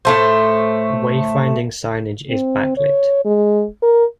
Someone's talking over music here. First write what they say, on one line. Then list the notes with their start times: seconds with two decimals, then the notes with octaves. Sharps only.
Wayfinding signage is backlit.
0.05 A2 A3 C5
2.30 C4
2.77 C#5
3.25 G#3
3.82 A#4